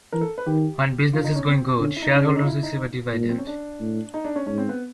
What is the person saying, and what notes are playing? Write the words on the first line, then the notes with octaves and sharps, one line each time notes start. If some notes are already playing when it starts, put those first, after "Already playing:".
When business is going good shareholders receive a dividend.
E3 A#4
A4
B4
D#3 G4
D3 F4
D#4
C#4
C4
D3 C#4
E4
D#4
C#3 D4
C#4
D#4
F4
E4
D#4
A#2
C4
C#4
D4
A2
D#4
D4
C#4
G#2 C#4
C4
B3